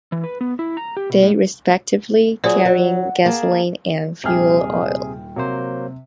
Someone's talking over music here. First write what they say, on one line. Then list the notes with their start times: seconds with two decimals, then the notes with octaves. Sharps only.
They respectively carrying gasoline and fuel oil.
0.12 E3
0.24 B4
0.41 B3
0.59 E4
0.77 A#5
0.97 G4
1.10 B2
1.23 A2
2.44 F#3 F4 G#4 C5 D5
2.65 F#3
3.25 A#3 G#4 A5
4.24 D#1 C3 G#4 G5 F6
5.36 C3 F#3 A#3 C5